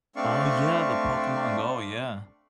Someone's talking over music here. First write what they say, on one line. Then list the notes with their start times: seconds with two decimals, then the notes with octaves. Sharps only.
Oh yeah, the Pokemon Go, yeah.
0.16 A3 C4 D4 D5 F5 C#6